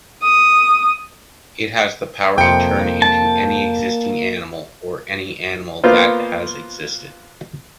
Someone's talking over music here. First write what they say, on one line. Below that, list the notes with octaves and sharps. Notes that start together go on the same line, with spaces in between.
It has the power to turn into any existing animal or any animal that has existed.
D#6
F2 C3 F3 A#3 G5 C#7
A5
A#3 B3 F4 C5